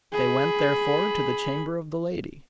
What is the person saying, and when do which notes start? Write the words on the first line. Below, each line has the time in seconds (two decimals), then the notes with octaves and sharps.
They went therefore to the chamber of the lady.
0.13 G#4 B5